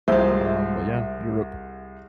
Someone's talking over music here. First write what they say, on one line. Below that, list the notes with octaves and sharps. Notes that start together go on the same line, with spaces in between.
um, but yeah, Europe,
C2 G#3 F4 C5 E5